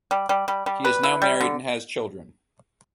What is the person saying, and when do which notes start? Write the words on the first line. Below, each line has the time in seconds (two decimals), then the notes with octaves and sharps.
He is now married and has children.
0.11 G3
0.29 G3
0.48 G3
0.66 G3
0.85 B4
1.03 E4
1.22 G3
1.41 D3